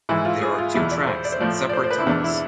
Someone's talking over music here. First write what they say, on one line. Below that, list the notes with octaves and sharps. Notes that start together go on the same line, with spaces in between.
There are two tracks in separate tunnels.
G#2 E3 E4
F4
G#4
F4
E2 B2 E4
D5
C5
D5
C5
A2 F3 D5
D5
C5
C5
B4
E4
E2 B2 D4
E4